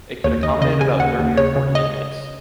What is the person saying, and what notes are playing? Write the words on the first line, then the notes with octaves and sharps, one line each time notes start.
It could accommodate about thirty or forty inmates.
D#2 C#5
D#2 D#5
C#3 D#5
C#3 G#5
D#2 F#5
D#2
C#3 C#5
C#3
D#5